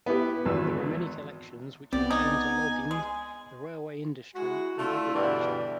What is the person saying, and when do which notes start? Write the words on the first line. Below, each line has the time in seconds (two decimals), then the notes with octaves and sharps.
There are many collections which pertain to logging, the railway industry and agriculture.
0.06 B3 E4 G4
0.45 G#1 E2 B4 E6
1.93 C2 B3 C4 G4 D5
2.11 D#4 G#5
2.91 G#3 G#5
4.35 G#3 E4 F#4
4.78 A3 D4 E4 F4 A4
5.15 G2 B2 D3 E3 G3